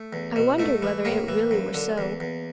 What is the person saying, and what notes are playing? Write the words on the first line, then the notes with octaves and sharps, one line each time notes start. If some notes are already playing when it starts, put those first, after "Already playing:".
I wondered whether it really were so.
Already playing: A3
E2
B2
G#2 A3
E3
A2 A#3
E3
F#2
D3
E2
E2